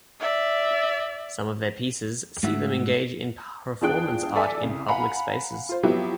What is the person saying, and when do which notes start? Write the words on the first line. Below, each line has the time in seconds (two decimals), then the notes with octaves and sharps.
Some of their pieces see them engage in performance art in public spaces.
0.20 D5 E5
2.43 G#2 A3 F#4 E5
3.81 E2 F3 D4 G#4 G5 F#6
4.35 A4 D5 E5 G#5
4.63 C2 C#3
4.88 F5 F#5 G#5 A#5 B5
5.69 F4 C5
5.83 F3 F#3 B3 E4 G4